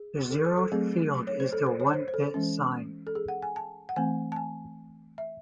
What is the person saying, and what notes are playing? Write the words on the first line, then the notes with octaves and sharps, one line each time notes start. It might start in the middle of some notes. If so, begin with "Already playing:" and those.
The zeroth field is the one-bit sign.
Already playing: G#4
A4
C5
A4
F#3 A3 C4 G#4
C#5
C5
A4
C5
C#5
C5
C5
A4
E3 G#3 C#4
A4
G#4
F#5
G#5
A5
F#5
E3 A3 C4 G#5
A5
G#5
E5